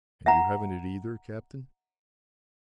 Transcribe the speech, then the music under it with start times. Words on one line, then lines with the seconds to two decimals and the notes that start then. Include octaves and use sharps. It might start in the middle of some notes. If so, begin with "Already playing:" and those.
"And you haven't it either, captain?"
0.26 E5 F#5 A#5